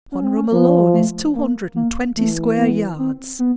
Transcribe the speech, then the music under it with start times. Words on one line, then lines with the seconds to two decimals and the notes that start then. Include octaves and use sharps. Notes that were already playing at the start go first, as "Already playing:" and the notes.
One room alone is two hundred and twenty square yards.'
0.12 C#4
0.24 C4
0.37 C#4
0.53 F3 B3
0.93 A3
1.35 A#3
1.76 A#3
2.16 E3 A3
2.58 B3
2.99 C4
3.39 B3